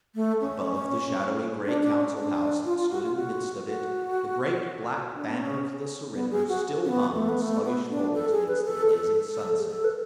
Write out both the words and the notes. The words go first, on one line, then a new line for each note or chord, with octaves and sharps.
Above the shadowy grey Council House that stood in the midst of it, the great black banner of the surrender still hung in sluggish folds against the blazing sunset.
A3
C#4
D4
D4
C#4
D4
F4
F4
F#4
F4
F#4
F#4
D4
B3
C#4
B3
G#4
F#4
C#4
B3
A3
B3
A3
B3
D4
A4
G#4
B4
A4
A4
A4
G#4
A4
B4
A4